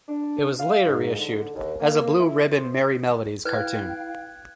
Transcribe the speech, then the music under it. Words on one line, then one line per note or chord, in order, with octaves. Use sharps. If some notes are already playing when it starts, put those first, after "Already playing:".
It was later reissued as a Blue Ribbon Merrie Melodies cartoon.
D4
F5
G#2
D3
D#2
A#3
E4
C5
E4 B4 F5 G5 F#6 G#6